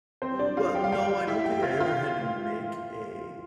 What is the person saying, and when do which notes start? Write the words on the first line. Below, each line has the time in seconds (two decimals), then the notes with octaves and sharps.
Well, no, I don't think I ever had to make a
0.22 C4 C5
0.39 D4 D5
0.57 F4 F5
0.74 G4 G5
0.84 F5
0.92 G4 G5
1.27 E4 E5
1.45 G4 G5
1.63 F4 F5
1.80 F4 F5